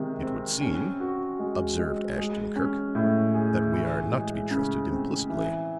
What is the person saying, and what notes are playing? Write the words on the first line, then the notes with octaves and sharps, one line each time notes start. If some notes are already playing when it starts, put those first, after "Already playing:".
"It would seem," observed Ashton-Kirk, "that we are not to be trusted implicitly."
Already playing: C3 D#3 G#3
C4
C#4
F#4
G#3
G#3
G#3
C#4
A2
G#4
E3
G#3
C#3
C4
E3